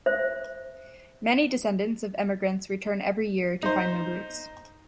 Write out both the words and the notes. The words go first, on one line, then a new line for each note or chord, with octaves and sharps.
Many descendants of emigrants return every year to find their roots.
C5 E5
D#4 C5